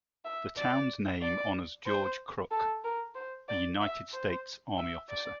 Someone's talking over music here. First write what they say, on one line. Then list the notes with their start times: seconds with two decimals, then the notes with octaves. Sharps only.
The town's name honors George Crook, a United States Army officer.
0.25 E5
0.58 D5
1.22 D5
1.86 C5
2.51 A4
2.84 A#4
3.15 C5
3.49 D5
3.81 E5
4.13 C5
4.78 E5
5.09 D5